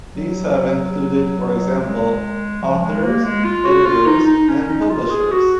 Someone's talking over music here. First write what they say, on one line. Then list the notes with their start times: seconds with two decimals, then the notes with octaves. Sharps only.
These have included, for example, authors, editors, and publishers.
0.15 F#3
1.80 G#3
2.63 F3
2.83 G#3
3.04 A#3
3.24 G#3
3.45 F4
3.66 F#4
3.86 F4
4.06 D#4
4.27 D#4
4.49 C#4
4.69 D#4
4.90 F4
5.10 G#4
5.31 F#4